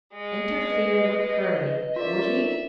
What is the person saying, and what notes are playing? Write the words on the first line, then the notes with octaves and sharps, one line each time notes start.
Interfere with Curly, would he?
G#3
B4 D#5
C#4 F4 A4 A#4 D5 E5